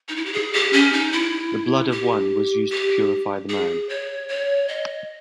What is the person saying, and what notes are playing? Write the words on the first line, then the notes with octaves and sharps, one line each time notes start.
The blood of one was used to purify the man.
D#4
E4
G4
G#4
G4
C#4
D#4
E4
G4
G4
G#4
C#5
C#5
D#5